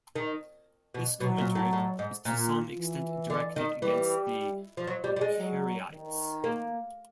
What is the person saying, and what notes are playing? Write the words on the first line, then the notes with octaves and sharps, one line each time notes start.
This commentary is to some extent directed against the Karaites.
D#3
B2
B2 F#3
A#2
A2
A2
G#2
A#2
E3
D3
D#3
E3 G3
F3
F#3
G3
G3
G#3
F#3
D#3
A#3